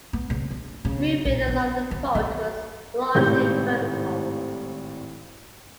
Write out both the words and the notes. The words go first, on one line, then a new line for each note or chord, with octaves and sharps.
Movement along the fault was largely vertical.
B3
C#3
D4
C#3
A#1
D4
D#3
D3
G#1 A2 C3 G6